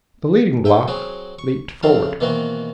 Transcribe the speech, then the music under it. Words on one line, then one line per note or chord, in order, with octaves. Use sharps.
The leading block leaped forward.
E5 G5 G#5
F#3 C4 F#4 G#4
C#6
F2 C#3 C4 E4 F5 A5
B2 D#3 E3 A#3 C4 F#4